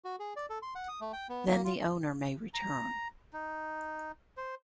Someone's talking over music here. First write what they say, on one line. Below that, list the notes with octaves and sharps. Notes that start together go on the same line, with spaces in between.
Then the owner may return.
F#4
G#4
D5
A4
C6
F#5
D#6
A3
G5
B3
A#3
F4
A#5
D#4
C5